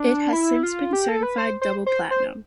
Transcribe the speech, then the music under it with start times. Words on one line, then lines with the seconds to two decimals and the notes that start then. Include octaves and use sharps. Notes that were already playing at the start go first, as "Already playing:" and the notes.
It has since been certified double platinum.
Already playing: D4
0.33 E4
0.63 F4
0.93 G4
1.08 A4
1.23 B4
1.38 C5
1.62 C5
1.86 C5
2.11 C5